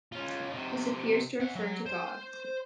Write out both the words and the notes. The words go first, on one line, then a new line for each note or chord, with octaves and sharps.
This appears to refer to God.
C#4 F4
C3 D#4
E5 F#5
F#3
C5